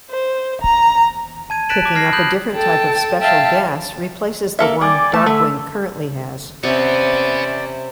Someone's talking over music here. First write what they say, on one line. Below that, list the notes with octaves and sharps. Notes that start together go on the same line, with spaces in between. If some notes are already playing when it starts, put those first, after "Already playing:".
Picking up a different type of special gas replaces the one Darkwing currently has.
C5
A#5
A5 G#6 D#7
F#6 A6 B6 D7 E7 F#7
A5 D6
F6 G#6 A#6 C7
B5 D#6 F#6 G6 F#7
A4 G5 A5
E5 F5 G5 A5
A#3 A4 E5
G3 D5 G#5 D6
A3 A5
D3 A3 E5
C3 B3 C#4 C5 D5 E5